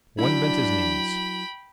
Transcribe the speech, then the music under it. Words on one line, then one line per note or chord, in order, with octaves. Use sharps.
One bent his knees.
F#3 D4 E4 G5 B5